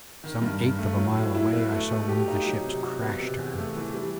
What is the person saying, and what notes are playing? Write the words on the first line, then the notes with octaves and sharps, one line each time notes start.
Some eighth of a mile away I saw one of the ships crash to earth.
D#3
G2
G2
A3
F#3
A2
E4
B3
A3
B2
G4
D#4
F#3
C3
F#4
B3
C3
E2
A3
E3
G3